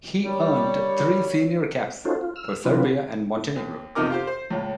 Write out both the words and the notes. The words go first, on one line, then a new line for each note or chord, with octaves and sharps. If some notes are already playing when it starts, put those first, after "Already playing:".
He earned three senior caps for Serbia and Montenegro.
D3 G3 A#3 C#5
C#4 D#4 F4 F#4 A4 C5
F4
E6 F6
C3 F#3 C4 D4 F4 B4
D#2
F2 C3 B3 D#4 A#4 D6
F4 G4 C5
C5
C#2 A2